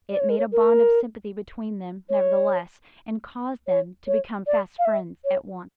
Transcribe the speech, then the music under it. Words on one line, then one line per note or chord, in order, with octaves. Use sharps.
It made a bond of sympathy between them, nevertheless, and caused them to become fast friends at once.
D5
C#5
A#4
C#5
A#4
C#5
C#5
C#5
D5
F5
E5
C#5